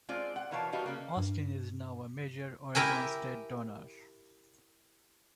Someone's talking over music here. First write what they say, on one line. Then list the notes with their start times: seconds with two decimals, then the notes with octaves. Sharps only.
Austin is now a major Oregon State donor.
0.09 G#3 C4 F4 D5
0.36 F#5
0.51 B2 E3 A#4 C#5 F5 A5
0.72 G3 F#4 B4 D#5 F5
0.86 C#3 A#3
1.17 G2
2.75 E4 G4 A#4 E5 G#5